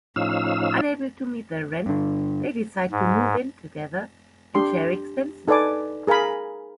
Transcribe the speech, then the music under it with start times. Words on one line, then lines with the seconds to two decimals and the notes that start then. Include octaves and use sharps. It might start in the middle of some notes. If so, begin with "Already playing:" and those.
Unable to meet their rent, they decide to move in together and share expenses.
0.16 A2 F3 C#4 D#4 F5 E6
1.86 G2 D3
2.91 G#2
4.55 D4 G4 C6
5.48 D#4 A4 B4 D5 G#5 D6
6.07 G#4 A#4 F5 G#5 B5